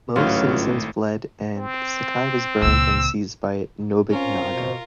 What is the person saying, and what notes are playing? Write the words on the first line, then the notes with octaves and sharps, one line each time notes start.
Most citizens fled and Sakai was burned and seized by Nobunaga.
G#1 C#2 A2 F#3 F4
C4
C#2 A#2 E6
C4 C#4 F4 A#4
B2 C5